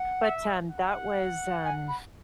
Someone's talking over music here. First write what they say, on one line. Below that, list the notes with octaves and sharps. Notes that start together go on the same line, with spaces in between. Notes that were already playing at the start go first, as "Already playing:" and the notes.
But, um, that was an
Already playing: F#5
E5
F#5
G#5
B5